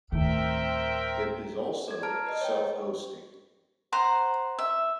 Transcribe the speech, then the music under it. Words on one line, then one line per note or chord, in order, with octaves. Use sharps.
It is also self-hosting.
D2 A2 D#3 C4 A#4 E5 G5
D5 G#6
A5 A#5 F6 D7
B4 D#5
C#5 G5
C5 F#5 A#5
E5